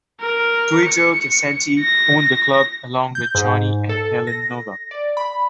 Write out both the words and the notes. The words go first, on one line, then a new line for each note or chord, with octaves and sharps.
Guido Caccienti owned the club along with Johnny and Helen Noga.
A#4
C#7
A#6
G6
G#2
A4
A#6
D5
B5